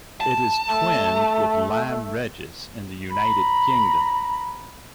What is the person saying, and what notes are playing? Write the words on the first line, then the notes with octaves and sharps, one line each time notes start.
It is twinned with Lyme Regis in the United Kingdom.
A5
A3
A#5 B5